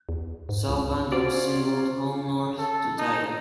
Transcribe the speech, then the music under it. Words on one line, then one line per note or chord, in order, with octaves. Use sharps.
Sal Bando singled home North to tie it.
E2
G#2
C#2
C#4 F4 F#4 C5 D5
A4
D#4